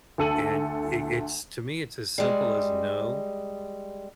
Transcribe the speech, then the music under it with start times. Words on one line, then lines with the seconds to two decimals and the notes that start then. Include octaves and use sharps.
And it it's to me, it's as simple as no.
0.18 D2 A4 D#7 F#7
2.18 G3 G#3